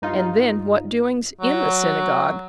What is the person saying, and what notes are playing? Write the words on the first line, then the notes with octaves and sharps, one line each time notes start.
And then what doings in the synagogue!
G2 D#4 F4
F#3